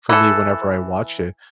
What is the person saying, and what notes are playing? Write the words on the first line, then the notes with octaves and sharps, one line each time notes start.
for me whenever I watch it.
E3 A4